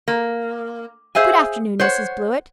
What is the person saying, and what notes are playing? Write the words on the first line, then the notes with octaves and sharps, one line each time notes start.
Good afternoon, Mrs. Blewett.
A#3
G#4 C5 E5 F5 G#5
C5 C#5 F#5